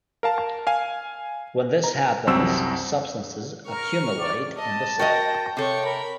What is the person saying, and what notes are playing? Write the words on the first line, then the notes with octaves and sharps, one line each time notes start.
When this happens, substances accumulate in the cell.
A#4 F5 A5
F5 G#5
A#5
C2 F#2 C4 E6 E7
A#4 C#6 F6
D5
D#5 A5
F#4 A#4 D#5 G5 A#6
C3 A4 C#5 C#6
A#4 B5